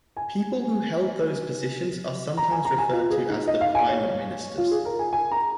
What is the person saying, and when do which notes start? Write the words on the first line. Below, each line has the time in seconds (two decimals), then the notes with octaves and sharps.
People who held those positions are sometimes referred to as the prime ministers.
0.17 G#5
2.37 A#5
2.51 G#5
2.65 A#5
2.78 G#5
2.92 F4
3.10 G#4
3.29 D#4
3.47 D#5
3.61 F5
3.75 G#5
3.89 C#5
4.58 F4
4.71 G#4
4.85 A#4
4.99 G#5
5.13 G#5
5.31 A#5